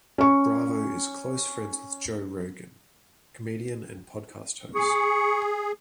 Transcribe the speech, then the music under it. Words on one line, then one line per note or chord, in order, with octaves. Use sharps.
Bravo is close friends with Joe Rogan, comedian and podcast host.
C#4 C#6
G#4 C#6